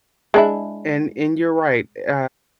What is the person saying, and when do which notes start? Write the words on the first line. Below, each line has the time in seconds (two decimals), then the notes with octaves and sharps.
and and you're right, eh, uh,
0.34 G#3 D4 E4